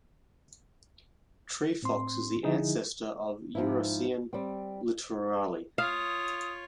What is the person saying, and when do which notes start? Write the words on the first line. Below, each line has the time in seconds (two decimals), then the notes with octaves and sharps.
Tree Fox is the ancestor of the Urocyon littorali.
1.82 A2 C4 C6
2.43 D3 F3 D#4 E4 G#4
3.55 G#2 F3 E4
4.33 G3 C4
5.78 F4 C#5 F5 D#6